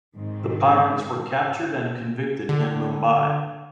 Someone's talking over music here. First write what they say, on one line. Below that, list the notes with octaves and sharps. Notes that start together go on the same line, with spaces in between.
The pirates were captured and convicted in Mumbai.
G#2 D#3 C4
D3